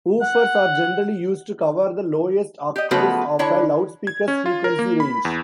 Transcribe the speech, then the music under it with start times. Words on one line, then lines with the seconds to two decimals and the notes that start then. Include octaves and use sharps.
Woofers are generally used to cover the lowest octaves of a loudspeaker's frequency range.
0.21 F#5
2.76 G4 D#5
2.91 C#3 F3 A3 B3 F#4 B4
3.39 D3 E4 C#5 A5
4.07 G#6
4.28 C#4
4.46 F4
4.64 A#4
4.79 A#3
5.00 B5
5.25 E2